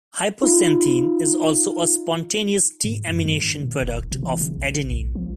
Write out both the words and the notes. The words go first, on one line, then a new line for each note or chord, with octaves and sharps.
Hypoxanthine is also a spontaneous deamination product of adenine.
D#4 F4
G#2
F#2
D#3
A#2
E1
G#1
C3
E3
C#3
A1
B1
F3